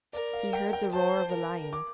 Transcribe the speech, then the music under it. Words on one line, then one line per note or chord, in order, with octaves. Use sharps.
He heard the roar of the lion.
A#4 D5
F5
G5
G5
C5 A5
A#4
D6